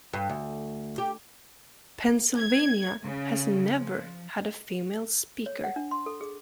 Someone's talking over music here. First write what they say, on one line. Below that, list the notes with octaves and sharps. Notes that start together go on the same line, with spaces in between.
Pennsylvania has never had a female speaker.
G2
D2
G4
G#6
C#3
F3
C#5
F#5
D4
C6
A4
G#4